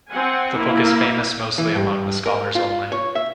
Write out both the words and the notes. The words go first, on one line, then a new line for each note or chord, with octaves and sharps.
The book is famous mostly among the scholars only.
C4 F#5 G#5
A#3 E4
E3
G2
A#4
F4
C#5
E5